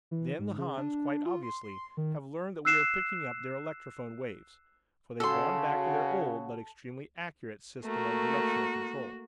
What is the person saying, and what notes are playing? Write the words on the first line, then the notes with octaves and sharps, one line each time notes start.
Then, the Hans quite obviously have learned that we are picking up their electrophone waves, for they've gone back to their old, but extremely accurate, system of directional control.
E3
G#2
C#3
D4
F4
C6
C6
D#3
E6 F#6 C7 E7
C#3 F#4 A4 C6
A3 A#3 F#4 A#4